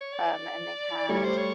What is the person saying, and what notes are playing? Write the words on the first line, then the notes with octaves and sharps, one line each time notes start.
um, and they had,
C#5
D5
G3 A3 C#5
C5
C#5